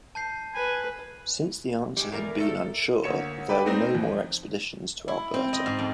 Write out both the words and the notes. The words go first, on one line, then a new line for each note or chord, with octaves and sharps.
Since the answer had been unsure, there were no more expeditions to Alberta.
A5 G6 C7
B4 G#5
G3 G#3
E2 A#4 D5
A3 A4 A#4
D2 A#3 C#5 C#7 E7
A4 B4 D5 G5 B5
A3 C4 D#4
F2
E4
C4
D#5
G#2
F2